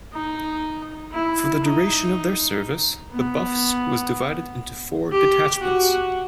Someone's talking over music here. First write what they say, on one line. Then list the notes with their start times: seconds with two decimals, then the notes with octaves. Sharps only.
For the duration of their service, The Buffs was divided into four detachments.
0.13 D#4
1.12 E4
1.63 D#4
3.12 B3
5.12 G4
5.61 F#4